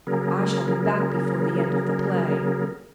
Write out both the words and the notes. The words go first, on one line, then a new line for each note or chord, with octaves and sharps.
I shall be back before the end of the play.
C#3 F#3 A#3 G#4 A#4